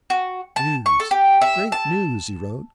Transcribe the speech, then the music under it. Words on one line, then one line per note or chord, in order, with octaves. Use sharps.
'News! great news!' he wrote.
F#4
A5
C#6
A4
G4
E5
A5